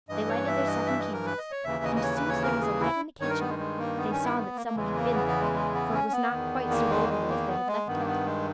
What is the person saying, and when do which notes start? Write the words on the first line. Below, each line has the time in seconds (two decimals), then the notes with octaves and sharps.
They lighted their seven candles, and as soon as there was a light in the kitchen, they saw that some one had been there, for it was not quite so orderly as they had left it.
0.09 G2 E3 D#5
0.28 C#5
0.48 E5
0.67 D#5
0.86 E5
0.99 D#5
1.13 A#4
1.26 B4
1.38 D#5
1.51 C#5
1.64 D#2 C#3 E3 E5
1.84 D#5
1.96 D#5
2.03 C#5
2.16 B4
2.29 C#5
2.42 A#4
2.61 G#4
2.81 E4
3.20 G2 D#3 C#5
3.30 A#4
3.40 B3
3.49 G#3
3.59 G#3
3.78 A#3
3.97 B3
4.11 C#4
4.24 E4
4.37 B3
4.56 A#3
4.66 A#3
4.76 E2 C#3 E3 G#3
4.95 A#3
5.14 B3
5.27 B3
5.40 G#3
5.53 G#3
5.73 B3
5.92 C#4
6.12 B3
6.31 E2 D#3
6.70 A#3
6.90 G#3
7.04 A#3
7.09 G#3
7.28 A#3
7.48 B3
7.67 G#3
7.87 G2 D#3 B3
7.99 A#3
8.06 B3
8.26 G#3